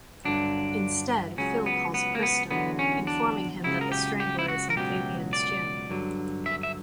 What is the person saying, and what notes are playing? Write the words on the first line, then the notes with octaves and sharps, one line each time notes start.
Instead, Phil calls Kristo, informing him that The Strangler is in Fabian's gym.
G2 D3 F#3 D4
C#2 C#3 F#3 C#4
B3
B3
A#3
B3
E2 D3 F#3 B3
C#4
D4
C#2 C#3 F#3 E4
A#4
G4
G4
E4
F#4
A#4
C#2 B2 F#3 G4
D5
G2 D3 F#3
E5
E5